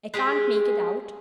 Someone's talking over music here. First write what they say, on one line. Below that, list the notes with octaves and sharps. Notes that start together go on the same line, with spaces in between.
I can't make it out.
G#3 G4 G#4